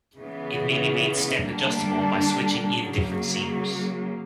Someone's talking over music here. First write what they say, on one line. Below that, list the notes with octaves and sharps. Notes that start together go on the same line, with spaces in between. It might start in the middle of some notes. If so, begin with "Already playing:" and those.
It may be made step adjustable by switching in different Zeners.
C#3 E3 B3
D3 G3 A#3 D4
C#3 F#3 A#3